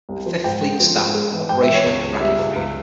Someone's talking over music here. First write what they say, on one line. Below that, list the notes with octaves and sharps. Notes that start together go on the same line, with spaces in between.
Fifth Fleet staff for Operation Iraqi Freedom.
C2
F3
G#2 G5
G#3
F3
G#2
G#3
E3
G#2 G5
E5
E3
C#5
C#2
C#2
G3 E5
C#2
C#2